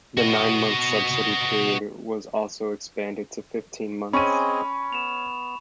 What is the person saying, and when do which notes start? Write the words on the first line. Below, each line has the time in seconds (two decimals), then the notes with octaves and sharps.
The nine-month subsidy period was also expanded to fifteen months.
0.18 F#4 D#5
4.13 C4 C#4 G#4 D#5 B5 C#6 D#7
4.93 B3 E7 F7